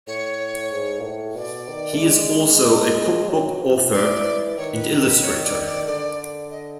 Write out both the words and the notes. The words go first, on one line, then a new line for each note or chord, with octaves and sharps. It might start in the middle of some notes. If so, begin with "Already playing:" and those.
He is also a cook book author and illustrator.
A2 C#5
G#2
A#2
A2
B2 D5
D#3
A3
G#3
F#3
F3
E3 D5
D#3 C#5
B4
A#4
B4
C#5
D5
D5
D3 D5
D#5